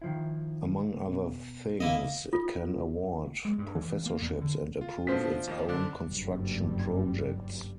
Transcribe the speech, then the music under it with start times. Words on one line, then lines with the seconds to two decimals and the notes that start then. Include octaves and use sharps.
Among other things, it can award professorships and approve its own construction projects.
0.02 D#3 F3 E4
1.06 B2
1.80 C#3 A#3 B3 E4 D#5
2.33 F4
3.45 G#3
3.58 G2
3.75 E3
4.06 A#3
4.22 E2
4.41 D3
4.81 F4
5.07 B2 F3 A3 D4 C5 B6
5.47 D#2 A#3 D#5
5.69 D3 D4
6.06 F#1 G2 G3